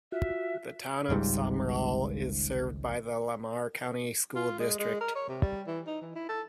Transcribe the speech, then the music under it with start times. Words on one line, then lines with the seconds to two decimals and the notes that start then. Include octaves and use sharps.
The Town of Sumrall is served by the Lamar County School District.
0.12 F4 F#4 E5
1.09 G#1 C#2 G#2 G3
4.35 F4
4.60 G#3
4.79 G#3
5.01 A#4
5.16 C#5
5.29 C3
5.42 G3
5.67 E3
5.87 D#4
6.02 E3
6.16 E4
6.29 A4